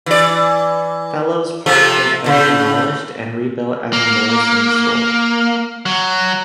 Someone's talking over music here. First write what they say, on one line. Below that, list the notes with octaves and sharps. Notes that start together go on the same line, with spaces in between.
Fellows Park was then demolished and rebuilt as a Morrisons store.
E3 D5
C3 F3 A3
A2 C#3
A#3
F#3